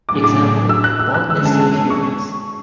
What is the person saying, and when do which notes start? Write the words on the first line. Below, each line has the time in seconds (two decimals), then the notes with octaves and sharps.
Example: baldness in humans.
0.08 A2 F#3 A3 D4 G#4 D6
0.24 D6
0.69 E6
0.84 F#6
0.99 E6
1.14 F#6
1.30 D3 G#3 C#4 G#4 E6
1.45 A5
1.60 A5
1.90 C#6